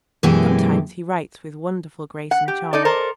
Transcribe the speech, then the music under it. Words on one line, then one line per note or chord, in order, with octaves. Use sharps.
Sometimes he writes with wonderful grace and charm.
F#2 B2 E3 G#3 G4 G#4
F#5
G4
D#4 A4 D5
A4 A#4 C5